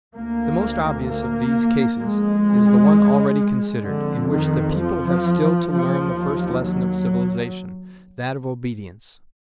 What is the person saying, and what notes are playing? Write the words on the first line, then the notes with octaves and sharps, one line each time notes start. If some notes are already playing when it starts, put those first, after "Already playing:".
The most obvious of these cases is the one already considered, in which the people have still to learn the first lesson of civilization, that of obedience.
D2 A#3
A#3
F2 G#3
F2 D3
D#3
F3
D#2 F3
F#3